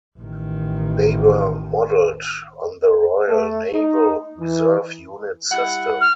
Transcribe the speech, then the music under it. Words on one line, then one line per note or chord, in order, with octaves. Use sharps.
They were modelled on the Royal Naval Reserve unit system.
A1 D#3
A3
D#4
E3
G3 E4 F#5
F6